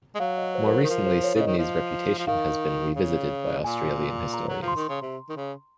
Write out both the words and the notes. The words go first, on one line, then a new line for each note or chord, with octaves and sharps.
More recently Sydney's reputation has been revisited by Australian historians.
G#3
F#3 F5
D#5
C5
A#4
C5
D#3
F3 A#4
C5
C#5
C#3
D#5
D#3
F3
F3
D#3 F5
C#3
A#2 G#5
A#5
F#3
F3
C6
D#3
C#3
C3
D#3
C#3